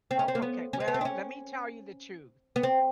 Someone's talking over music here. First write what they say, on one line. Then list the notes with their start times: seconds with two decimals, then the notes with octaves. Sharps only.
Oh, okay. Well, let me tell you the truth.
0.11 C4
0.19 C#4
0.28 C4
0.35 A#3
0.42 B3
0.73 C#4
0.80 C4
0.88 B3
0.94 C4
1.01 D4
1.05 C#4
2.56 B3
2.63 C4